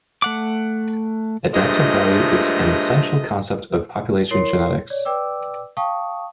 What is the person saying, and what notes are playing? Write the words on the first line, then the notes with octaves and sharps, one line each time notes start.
Adaptive value is an essential concept of population genetics.
A3 F#5 D6
G2 A#2 F3 G#3 A3 D#5
E4 A#4 C#5 C6 C7
C#5 D5
B4 D5 G5 D6 E6
F5 G5 A5 C#6 D#6